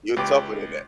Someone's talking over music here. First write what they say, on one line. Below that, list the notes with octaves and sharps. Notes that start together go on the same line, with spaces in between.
you're tougher than that.
C#2 G4 B4 D6